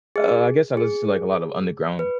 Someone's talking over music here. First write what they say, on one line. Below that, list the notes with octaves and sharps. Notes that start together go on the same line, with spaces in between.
Uh, I guess I listen to, like, a lot of underground
G#4
G#4
B4